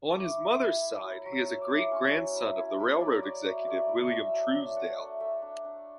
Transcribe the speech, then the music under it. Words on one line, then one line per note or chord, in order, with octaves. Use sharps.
On his mother's side, he is a great-grandson of the railroad executive William Truesdale.
C#6
E4 D6
E4
E4 E6
E4
F#3
F#3
E6
F#3
D6
E4
C#4 C#6
F#3
E4 B5
E4
F#3 B5
F#3 D5
F#3 D5
F#3 E5
A3 D5
E4
A3 E5
F#3
D4 E5
D4 F#5
A3 F#5
A3 E5
D4
D4